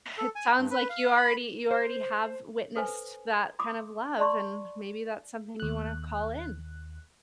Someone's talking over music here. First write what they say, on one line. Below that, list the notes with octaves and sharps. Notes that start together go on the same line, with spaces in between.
It sounds like you already you already have witnessed that kind of love and maybe that's something you want to call in.
A4
G#5
G2
B4
F5
B5
C5
A4 B4 C5 G#5
B5 C6 D6 D#6
D5 A5 C6 C#6
D#2 F#6